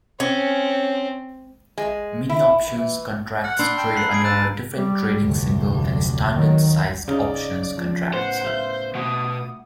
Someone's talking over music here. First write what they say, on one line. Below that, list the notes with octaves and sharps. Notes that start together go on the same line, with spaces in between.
Mini-options contracts trade under a different trading symbol than standard-sized options contracts.
C4 C#4
G#3
E4
E3
F#5 F6
D4 B5 C6 E6 G6
G5 A5
F#5 A#5 B5 C7
G#4 G#5 B5 D7
A5 E6 F#6 D#7
G3
F1 D2
D#3 F#3
C#3 D#4 D5
F3
A2 B3 C5 F#5
E5 F5 G6
B2 A3 F#5 D#6